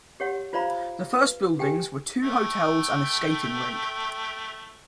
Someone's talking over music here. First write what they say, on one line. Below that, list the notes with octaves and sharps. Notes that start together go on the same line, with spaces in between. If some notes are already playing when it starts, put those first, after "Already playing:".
The first buildings were two hotels and a skating rink.
G4 C#5 F#5 C6
F4 C5 D5 F5 A#5 B5
B4
G4 G5 G#5
A3 G5